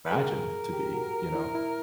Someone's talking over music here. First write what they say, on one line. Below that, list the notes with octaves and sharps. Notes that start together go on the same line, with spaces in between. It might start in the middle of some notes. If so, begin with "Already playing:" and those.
imagine to be, you know?
B4
G#4 A#4
G4
F#4
E4
E4